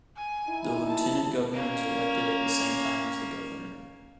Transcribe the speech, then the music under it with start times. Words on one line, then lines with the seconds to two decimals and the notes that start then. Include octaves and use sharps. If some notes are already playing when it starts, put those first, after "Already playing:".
The lieutenant governor is elected at the same time as the governor.
0.16 G#5
0.48 D#4 E4
0.87 A5
1.53 A#3 C#4